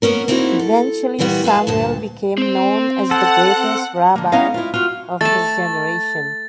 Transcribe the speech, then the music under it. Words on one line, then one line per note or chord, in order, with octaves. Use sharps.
Eventually Samuel became known as the greatest rabbi of his generation.
A#3 B3 C#4 A#4
A#3 C4 D#4 E4 F#4
A4
A#2 E3 G3 B3 F#4
D#2 B4 F5 A5
D2 G2 A#2 A5
C4 C5
A4 F#5
D3 A#3
B3 C#4 D#4 E4 D#5 F5
E4 F4
F4 F#4
A3 A5 A6